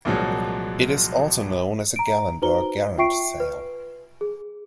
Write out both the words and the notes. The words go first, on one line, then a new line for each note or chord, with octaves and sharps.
It is also known as a gallant or garrant sail.
C2 A#2 F3 F#3 G#3
A#5 D7
D#4 F#4 B4 C5 A#5 G7
F4 E5 G5 C#6 C7 D7
B4
G#4